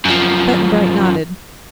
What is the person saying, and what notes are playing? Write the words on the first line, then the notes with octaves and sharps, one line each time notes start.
Button-Bright nodded.
F#2 F3